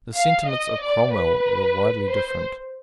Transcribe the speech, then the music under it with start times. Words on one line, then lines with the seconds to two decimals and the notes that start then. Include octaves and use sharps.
The sentiments of Cromwell were widely different.
0.17 F5
0.49 D#5
0.80 D5
1.14 B4
2.09 C5